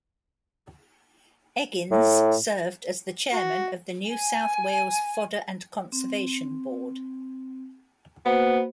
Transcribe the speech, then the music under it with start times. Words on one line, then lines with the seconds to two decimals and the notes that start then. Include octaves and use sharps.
Eggins served as the Chairman of the New South Wales Fodder and Conservation Board.
1.91 A2
3.33 F#4
4.05 G#5
5.92 C4
8.26 A#3 B3 F#4 C5